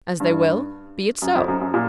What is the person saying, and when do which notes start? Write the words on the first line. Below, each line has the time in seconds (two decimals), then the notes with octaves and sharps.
As they will. Be it so.
0.20 G2
1.22 F#2
1.35 F2
1.48 F#2
1.61 F#2
1.74 A#2